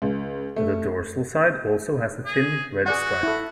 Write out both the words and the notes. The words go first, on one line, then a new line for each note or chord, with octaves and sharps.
The dorsal side also has a thin red stripe.
C#2
A3
G#4
F#4 G#4 D5 F#5
E4 A4